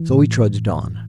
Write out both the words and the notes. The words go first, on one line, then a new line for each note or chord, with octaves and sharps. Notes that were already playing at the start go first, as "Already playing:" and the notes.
So he trudged on.
Already playing: E3
A2